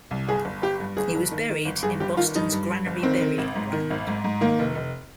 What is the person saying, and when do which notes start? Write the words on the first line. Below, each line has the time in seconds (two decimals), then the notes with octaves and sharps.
He was buried in Boston's Granary Burying Ground.
0.11 C2
0.29 G1 G#4
0.45 G1
0.62 G1 G4
0.80 G2
0.97 G1 G#4
1.15 G1
1.31 D#3
1.49 D#3
1.65 G1
1.83 G2 G#4
2.00 G1 G4
2.17 D#3 F4
2.35 G2 D#4
2.52 G2
2.70 G2
2.86 G1
3.03 D#3 C4
3.20 D#3
3.38 G#1
3.55 G#2
3.73 D#3
3.90 G#1
4.07 G#2
4.24 G#2
4.41 D#3 A#3
4.59 F1
4.75 F1